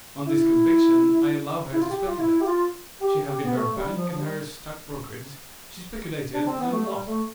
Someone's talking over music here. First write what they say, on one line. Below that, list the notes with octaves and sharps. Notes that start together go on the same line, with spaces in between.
On this conviction I allow her to speculate, she having her bank and her stockbroker; she speculated and lost.
E4
E4
F4
G4
F4
E4
G4
F4
G4
G4
B3
A3
G3
F3
F3
G3
D4
C4
B3
A3
G3
A3